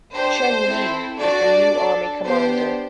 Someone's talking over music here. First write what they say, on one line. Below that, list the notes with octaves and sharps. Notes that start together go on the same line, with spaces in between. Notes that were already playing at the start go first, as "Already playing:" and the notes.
Chen Yi was the new army commander.
D4 G4 C5
C4 E4 A4
D4 F#4 A4 D5
D4 A4
B3 D4 G4 C5